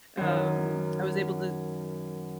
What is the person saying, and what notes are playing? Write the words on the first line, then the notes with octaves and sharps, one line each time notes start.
um, I was able to
F#2 D#3